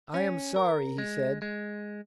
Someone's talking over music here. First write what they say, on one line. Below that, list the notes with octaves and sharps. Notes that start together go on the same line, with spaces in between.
"I am sorry," he said.
C#4
A#4
G#3
G#3